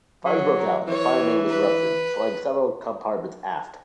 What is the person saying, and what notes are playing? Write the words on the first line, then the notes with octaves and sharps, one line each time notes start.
Fires broke out, and the fire main was ruptured, flooding several compartments aft.
F#3 G#4
A#4
E3 C#5
B4